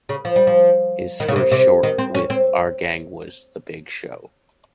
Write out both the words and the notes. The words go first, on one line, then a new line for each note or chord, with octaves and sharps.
His first short with “Our Gang” was “The Big Show”.
C#3
F3
G3
F3
D#3
C#3
C3
C3
D#3
C4
C#4
C4